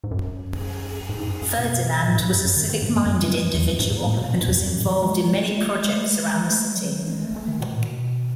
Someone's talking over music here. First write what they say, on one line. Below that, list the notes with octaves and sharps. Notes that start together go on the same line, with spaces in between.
Ferdinand was a civic-minded individual, and was involved in many projects around the city.
G#2
F#2
G#2
G#2
F#2
F#2
B2
B2
A2
G#2
F#2
F#2
D#3
D#3
G#2
F#2
F#2
E2
F#2
G#2
G#2
A2
B2
B2
G#2
E2
F#2
F#2
A2
E3
F#3
G#3
G#3
A3
G#3
G#3
A3
G#3
A3
G#3
F#3
D#3
E3
G#3
A3
A3
D#3
B2
A2
B2